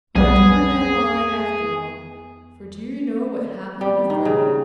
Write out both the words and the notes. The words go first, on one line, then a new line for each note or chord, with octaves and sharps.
"But it turned out all right after all, for do you know what happened to Freddy?"
B1 F2 G3 B3 G#4
G3
D#3
C#3